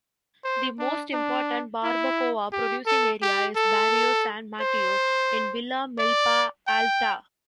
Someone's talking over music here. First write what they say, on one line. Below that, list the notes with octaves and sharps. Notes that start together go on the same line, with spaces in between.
The most important barbacoa producing area is Barrio San Mateo in Villa Milpa Alta.
C5
D4
D4
E4
G4
A4
G4
A4
C5
D5
G5